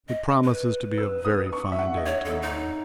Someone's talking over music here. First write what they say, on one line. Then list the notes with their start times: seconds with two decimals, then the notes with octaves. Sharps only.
It promises to be a very fine day to-morrow.
0.09 D#5
0.44 B4
0.98 E6
1.25 D#6
1.53 C#6
1.72 E5
1.79 F#5
1.97 D#5
2.06 C#5 E5
2.25 A4
2.33 C#5
2.42 D#4